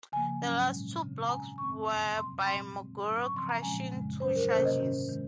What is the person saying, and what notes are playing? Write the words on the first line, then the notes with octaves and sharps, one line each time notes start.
The last two blocks were by Maguire, crushing two Chargers.
C#3 F3 A#3 G#5
G#2 F#3 A#3 C#4
A#2 F3 G#3
C#3 F3 C4
A#5
C#3 G#3 C#4 G#5
F#2 D#3 G#3 C4 C#6
F2 C3 F3 A#3
C3 F#3 C4 C6
A#2 F#3 C4 C6
C#3 G#3 C4
G#2 F#3 C#4
C#6
C#3 F3 C4 C6
A#5
A#2 F3 G#3 C#4 G#5
F#2 C#3 G#3
G#2 F#3 C#4 C5
A#4
C3 D#3 A#3 C#4 C5
D#5
G#2 D#3 A#3 C#4
D#3 G#3